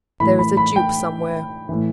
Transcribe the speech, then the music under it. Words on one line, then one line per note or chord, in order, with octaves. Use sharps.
"There is a dupe somewhere."
A2 E3 B5
B5
B5
G5
A2 E3